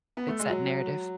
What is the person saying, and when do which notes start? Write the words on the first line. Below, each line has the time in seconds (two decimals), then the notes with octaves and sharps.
Fits that narrative.
0.17 B3
0.28 A3
0.39 G#3
0.50 F#3